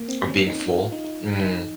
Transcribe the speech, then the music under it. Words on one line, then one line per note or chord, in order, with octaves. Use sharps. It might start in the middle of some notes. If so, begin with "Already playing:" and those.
Oh, being full? Mm.
Already playing: A#3
C4
C#4
D#4
D#4
F4
D#4
D#4
D#4